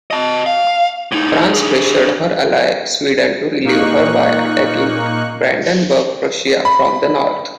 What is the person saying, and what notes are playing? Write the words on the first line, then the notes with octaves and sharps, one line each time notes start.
France pressured her ally Sweden to relieve her by attacking Brandenburg-Prussia from the north.
D#5 A5
F5
A2 D#4
D4 G#4
A#2 A#3 D#4 C#6 F#6
B5